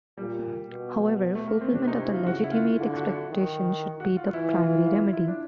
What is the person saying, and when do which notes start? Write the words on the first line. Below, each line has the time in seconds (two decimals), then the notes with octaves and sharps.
However, fulfilment of the legitimate expectation should be the primary remedy.
0.18 A#2 G3
0.70 B2
1.35 A3
1.48 A#3
1.61 C4
1.74 C3 D4
1.88 D#4
2.00 E4
2.13 F4
2.26 C#3 F#4
2.44 E4
2.51 F4
2.78 D3 F4
2.96 F#4
3.13 F#4
3.30 D#3
4.00 F#4
4.17 F4
4.34 E3 E4
4.52 F4
4.69 F4
4.86 F4
5.13 E4
5.27 D4